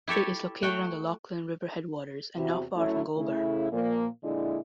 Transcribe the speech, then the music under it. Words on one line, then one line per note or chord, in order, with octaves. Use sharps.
It is located on the Lachlan River headwaters and not far from Goulburn.
E4 G4 A4 C#5
A3 F#4 G5
E2 C3 E4 F#4
F#3 A3 C#4 E4
C#3 A3 E4
A#2 F3 A#3
A#2 D3 G#3 D4 E4